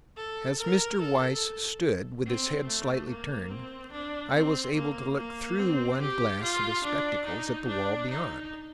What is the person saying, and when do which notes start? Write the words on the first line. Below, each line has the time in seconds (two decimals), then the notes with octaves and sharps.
As Mr. Weiss stood, with his head slightly turned, I was able to look through one glass of his spectacles at the wall beyond.
0.17 A4
0.59 A#4
1.01 A4
2.26 C4
2.67 A3
3.10 A#3
3.50 C4
3.92 D4
4.34 C4
4.76 A#3
5.18 A#3
5.59 C4
6.01 G4
6.42 F4
6.84 D4
7.26 D#4
7.68 D4
8.10 D#4